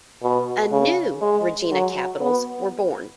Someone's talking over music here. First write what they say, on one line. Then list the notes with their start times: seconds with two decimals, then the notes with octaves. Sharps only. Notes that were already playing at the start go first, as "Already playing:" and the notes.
A "new" Regina Capitals were born.
0.22 B2
0.72 C#3
1.22 G#3
1.71 F#3
2.20 B3